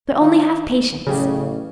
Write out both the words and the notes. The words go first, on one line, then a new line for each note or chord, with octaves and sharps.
But only have patience!
D#3 F4
A1 C#3 F#3 G4